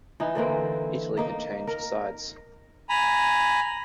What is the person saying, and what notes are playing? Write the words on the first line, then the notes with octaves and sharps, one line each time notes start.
Italy had changed sides.
E3 D#4
D3 E3 A#3 C4
A#3 D#4
A#4
G#5 A#5 B5